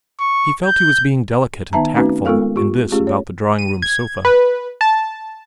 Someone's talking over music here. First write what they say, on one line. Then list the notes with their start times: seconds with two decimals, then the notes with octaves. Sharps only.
He felt he was being delicate and tactful in this about the drawing-room sofa.
0.20 C#6
0.65 G6
1.73 D#3 B3 D#4 E5 A5 A#5
1.95 A3 C4 C#4 D#4 F#4 B4
2.25 G#3 B3 F4 A4 A#4 F5
2.56 F4 G4
2.92 A3 C#4 F4 G4 G#4
3.07 C#5
3.59 D#7
3.82 G#6
4.25 B4
4.81 A5